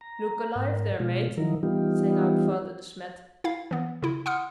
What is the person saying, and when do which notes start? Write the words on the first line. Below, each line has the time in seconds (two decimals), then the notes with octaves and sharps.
"Look alive there, Mate!" sang out Father De Smet.
0.01 A#5
0.55 G#2 A#4
1.00 B2 G#3 F4
1.37 D#3 F3 F#3 D#4 E4 A#4
1.63 E3 G3 B3 D#4 F4 G4
3.44 E4 F5
3.71 E3 B3
4.03 C#3 E4
4.26 F#5 C6 D#6 F6 C#7